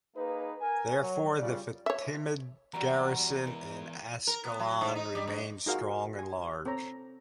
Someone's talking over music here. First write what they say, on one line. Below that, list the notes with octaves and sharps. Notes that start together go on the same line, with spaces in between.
Therefore, the Fatimid garrison in Ascalon remained strong and large.
A#3 D#4 G#4 B4
A#4 G#5
F#3 C#5
F#2 C#3 G3 F4 D5
C#5 E5
E2 F#3 G3 F#4 A#5
G#2 E4 A#4
A#4
B3
F#3
G#2
D#4
G3
G2
D#4 F4 F#4 G#4 A#4 F5
G#5
C4 A4 C#5 A#5